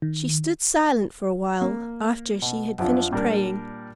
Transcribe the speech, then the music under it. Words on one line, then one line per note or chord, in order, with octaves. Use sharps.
She stood silent for a while after she had finished praying.
D#3
A#3
B2
F#2 F3 D4 F4
A#2 G3 D4 A#4